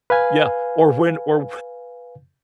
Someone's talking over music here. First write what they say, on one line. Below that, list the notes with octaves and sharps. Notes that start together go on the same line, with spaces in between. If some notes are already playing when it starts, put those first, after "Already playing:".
yeah, or when or
B4 F5 G#5